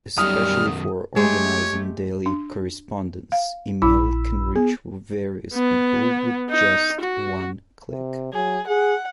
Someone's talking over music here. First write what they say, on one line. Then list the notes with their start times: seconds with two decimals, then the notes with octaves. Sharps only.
Especially for organizing daily correspondence, email can reach various people with just one click.
0.18 F#2 D#3 G3 D#6 F6
1.16 G#3 A3 G4 C#5
2.26 D4
3.32 F5
3.82 A#1 E4 B5 E6
4.56 B3 G#4
5.54 B3
6.50 D#4
7.01 F#4
7.91 C3
8.33 F#3 G#4
8.68 G#4 F#5